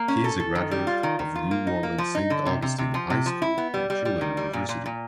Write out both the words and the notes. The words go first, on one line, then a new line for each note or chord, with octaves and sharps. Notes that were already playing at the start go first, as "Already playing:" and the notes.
He is a graduate of New Orleans' Saint Augustine High School and Tulane University.
Already playing: A#3
C#4
A4
A4
D#3
G3
F4
D#3
D#3
F4
A#3
D#4
A#3
F3
D#4
D3
C3
C3
C3
F3
C3
F3
E4
B3
G3
G3
G3
D#3
G3
A#2
A#2
A#2